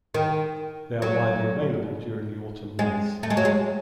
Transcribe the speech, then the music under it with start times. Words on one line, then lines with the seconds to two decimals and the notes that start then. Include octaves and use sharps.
They are widely available during the Autumn months.
0.14 D#3
1.02 F#3
2.79 G#3
3.23 A3
3.30 G#3
3.37 F#3
3.45 G#3